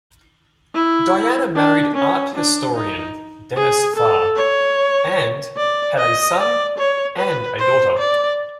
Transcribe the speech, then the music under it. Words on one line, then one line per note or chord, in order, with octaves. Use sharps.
Diana married art historian Dennis Farr, and had a son and a daughter.
E4
D4
C#4
D4
D#4
G#4
A4
C#5
D5
D#5
D5
C#5
B4
C5
D5